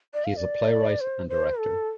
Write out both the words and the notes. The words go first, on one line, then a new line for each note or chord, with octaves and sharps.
He is a playwright and director.
D5
F5
D5
C5
C5
A4